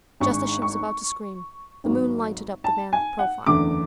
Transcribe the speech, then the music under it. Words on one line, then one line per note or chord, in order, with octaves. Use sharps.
Just as she was about to scream, the moon lighted up the man's profile.
G#1 G#2 G#3 D4 C#6
C#6
G#1 G#2 F#3
A5
G#5
F#5
F#1 E2 D3 A3 D4 D6